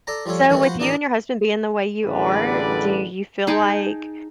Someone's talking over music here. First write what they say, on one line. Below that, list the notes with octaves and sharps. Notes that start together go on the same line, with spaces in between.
So, with you and your husband being the way you are, do you feel like
A4 D5 A5 A#5
F3 G3 F4 A4 C#5
D#3 E3 G3 A3 C#4 E4
F3 F#4 C5 F#5 B5
A1 D4 D#4 A#4 A5 D6
A1 D3 G3 G#4 B4 D5
D#4 G#4 G5 A5